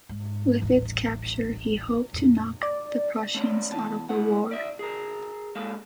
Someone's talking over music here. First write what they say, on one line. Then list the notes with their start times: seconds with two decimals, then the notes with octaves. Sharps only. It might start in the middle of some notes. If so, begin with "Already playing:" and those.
With its capture, he hoped to knock the Prussians out of the war.
0.09 G#2
0.61 D#1 A1
2.13 F2 A#2
2.63 D5
3.34 A3 C#4 C#5 D5
3.71 E2 A5
4.09 A2 F#5
4.51 D5 E5
4.79 G#4 A#4
5.55 G#2 G#3 A#3 A4 F5